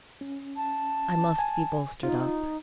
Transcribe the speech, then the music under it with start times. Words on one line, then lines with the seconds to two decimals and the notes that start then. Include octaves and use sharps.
I must be bolstered up.
0.21 C#4
0.57 A5
1.39 G#5
2.03 D#4 F4